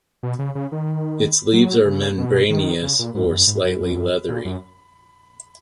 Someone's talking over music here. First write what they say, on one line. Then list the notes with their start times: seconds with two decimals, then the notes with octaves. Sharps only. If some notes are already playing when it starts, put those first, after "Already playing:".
Its leaves are membranous or slightly leathery.
0.23 B2
0.39 C#3
0.55 C#3
0.72 D#3
1.53 F#3
1.85 C#3
2.18 B2
2.50 D#3
2.82 C#3
2.99 A#2
3.14 G#2
3.24 E2
3.32 F#2
3.47 G#2
3.64 F#2
3.80 F#2
3.91 E2
3.96 F#2
4.29 A#2
4.45 F#2